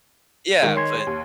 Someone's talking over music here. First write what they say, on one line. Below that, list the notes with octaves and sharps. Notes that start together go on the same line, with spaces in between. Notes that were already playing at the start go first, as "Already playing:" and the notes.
Yeah, but
D#3 G#3
C#5 C6 G#6
D#2